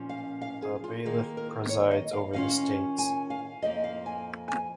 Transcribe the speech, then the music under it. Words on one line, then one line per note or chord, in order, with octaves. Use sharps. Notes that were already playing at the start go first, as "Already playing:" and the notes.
The Bailiff presides over the States.
Already playing: A#2 F3 C#4 F4
F5
F5
G#4
F4
D#3 A#3 F4 G#4
A#4
C#5
D#5
F5
D#3 C#4 F4 F5
G#5
F5
F2 F3 A#3 D#5
F5
G#5
G#5